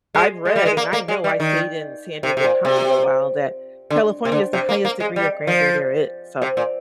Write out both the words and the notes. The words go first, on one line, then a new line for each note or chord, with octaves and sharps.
I've read, and I know I stayed in San Diego County a while, that California is the highest degree of grandeur there is. So
G#3
G#3
G3
G#3
A#3
A#3
G#3
G3
D#3
C3
C3
A#2
C3
D3
C3
D3
C3
A#3
A#3
G#3
G3
F3
C3
A#2